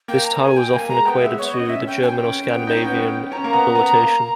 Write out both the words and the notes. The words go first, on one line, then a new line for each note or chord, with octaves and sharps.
This title is often equated to the German or Scandinavian habilitation.
A#3 G5
A#5
G#5
G5
A#3 G#5
G#3 A#5
B3 G5
G#3 E5
B3 C#5
D#5
C#4
E5
C#4
G5
G#5
G5
C#4
C#4
B3
D#4
C#4
B3
C#4
C#4 A#5
A#3
B3
B3
A#3